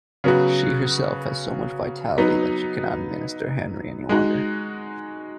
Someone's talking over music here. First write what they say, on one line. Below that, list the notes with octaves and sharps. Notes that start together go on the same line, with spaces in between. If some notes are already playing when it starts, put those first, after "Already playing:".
She herself has so much vitality that she cannot minister Henry any longer.
C#3 F#3 B3 F#4
F#3 B3 D#4
G#3 D#4 F#4